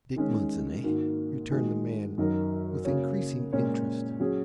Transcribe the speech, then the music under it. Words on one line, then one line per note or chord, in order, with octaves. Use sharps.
"Dick Munson, eh?" returned the man, with increasing interest.
D#3 G#3 C#4
G#2 D#3 A#3 F#4
D#3 G#3 F#4
F#2 D#3 F#3 D#4 A#4
C#3 A#3 F#4 C#5
A#2 G#3 C#4 A#4 C#5
F#3 C#4 G#4